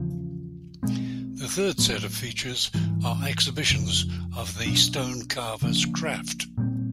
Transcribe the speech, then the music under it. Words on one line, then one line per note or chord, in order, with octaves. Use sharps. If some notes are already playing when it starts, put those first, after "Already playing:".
The third set of features are exhibitions of the stone carver's craft.
Already playing: E2 C#3 F3
B2 G#3 C4
A2 F#3 B3
G#2 E3 G3
F2 C#3 F3
B2 F#3 B3 D4
C#3 F3 A#3 D4
A#2 G3 C4